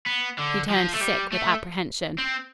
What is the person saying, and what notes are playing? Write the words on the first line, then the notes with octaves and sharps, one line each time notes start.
She turned sick with apprehension.
B3
D3
F3
A3
G3
A3
C4